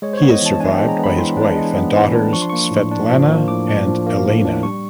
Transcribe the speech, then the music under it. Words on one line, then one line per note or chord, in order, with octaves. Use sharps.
He is survived by his wife and daughters Svetlana and Elena.
G#3 C#5
C5
C#5
B3
D#5
E3 A5
D4 G#5
G#3 G5
A#5
B3 B5
E3 C6
D4
G#3
B3
E3
D4
F3 C#6
C6
A#3 C#6
A2
D4
F3
A#3
A2 D6
D4
F3
A#3
A2
D4
G3 C#6